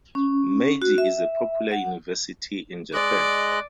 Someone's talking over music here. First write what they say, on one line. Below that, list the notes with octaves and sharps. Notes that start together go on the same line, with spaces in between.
Meiji is a popular university in Japan.
C#4
F#4
E5
F#5
G#3 D5 D#5 F#6